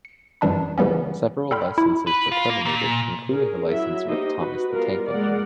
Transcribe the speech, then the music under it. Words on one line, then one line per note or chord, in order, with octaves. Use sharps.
Several licenses were terminated including the license with Thomas the Tank Engine.
C#7
F#2 E3 G3 D4 B5
C#3 E3 G3 B3 C#4
A4 D5 G5 B5 C6 F6
E4
B4
F4
A#3
A#2
C#4 G#4 A#4
F#3 E4 E5
A#3 D#4 G4 C5 D#5
F#4 B4
G3 B3 F4 A#4 F5
G#3 A#3 A#4 D5 F#5